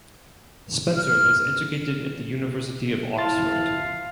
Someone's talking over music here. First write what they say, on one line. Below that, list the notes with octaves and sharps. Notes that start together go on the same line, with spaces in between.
Spencer was educated at the University of Oxford.
F6
F3 E4 F5 A5 C6 A6